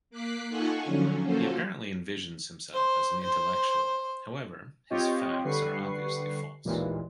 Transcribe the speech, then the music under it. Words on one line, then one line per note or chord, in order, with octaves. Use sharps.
He apparently envisions himself as an intellectual; however, his "facts" are obviously false.
A#3 D6 F#6 B6 C7
D#4 F4 A4 F#5 G#5 C#6
D3 F3 F#3 C#4
A#3 C#4 F4 F#4 A4 C5
C5
C5
C4 F4 G4 C#5 D#5 G5
D3 G3 B4 C#6 C7
A1 D#2 A#2 E3 G#3